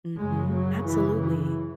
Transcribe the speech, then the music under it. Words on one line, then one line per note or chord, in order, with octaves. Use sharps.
Mhm. Absolutely,
F#2 C#3 G#3
F#3
E3
E3